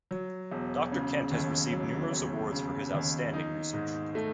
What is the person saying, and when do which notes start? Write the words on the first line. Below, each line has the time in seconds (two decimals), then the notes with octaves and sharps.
Doctor Kent has received numerous awards for his outstanding research.
0.11 F#3
0.52 E1
0.92 C#3
1.31 D#2
1.72 F#3
2.12 E1
2.52 C#3
2.94 D#2
3.33 D#4
3.74 G#2
4.15 A3